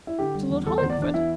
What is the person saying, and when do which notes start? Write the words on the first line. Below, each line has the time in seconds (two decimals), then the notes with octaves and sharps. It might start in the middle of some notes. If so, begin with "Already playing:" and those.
To Lord Hollingford?
0.07 E4
0.19 D3 G4
0.35 G3
0.50 E2
0.66 E2 A4
0.78 C5
0.82 E2
0.90 D5
0.98 E2 D4
1.14 E3 E4